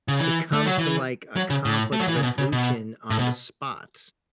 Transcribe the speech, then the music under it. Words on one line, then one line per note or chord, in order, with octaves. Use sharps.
to come to, like, a conflict resolution on the spot.
C#3
E3
A3
F#3
E3
F#3
C#3
A2
A3
F#3
E3
C#3
B2
C#3
B2
A2
B2